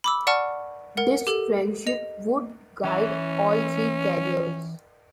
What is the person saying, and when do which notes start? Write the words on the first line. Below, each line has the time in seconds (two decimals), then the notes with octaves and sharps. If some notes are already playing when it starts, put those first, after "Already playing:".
This friendship would guide all three careers.
0.04 B5 D6 E6
0.27 D5 F#5 A5 C#6 F6
0.97 A#4 F#5
1.27 G4 A4
1.87 D#5 F7
2.84 E3 C#4 E5